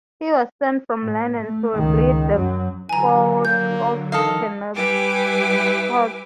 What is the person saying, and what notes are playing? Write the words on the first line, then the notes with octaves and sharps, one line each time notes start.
He was sent from London to rebuild the Fort at Penobscot.
A2
A3
C#2 D#3
F#2 F#3
D3 E3 F#3 G#5 A#5
A#3 G6
D#3 E3 A4 D#5 F5
G3 E4 G4 B4 G#5 D6